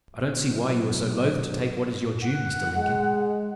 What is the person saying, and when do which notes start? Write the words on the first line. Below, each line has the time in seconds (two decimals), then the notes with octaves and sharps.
'I don't see why you are so loath to take what is your due, Mr. Lincoln.
0.15 B2 F#3
2.22 F#5
2.76 G#3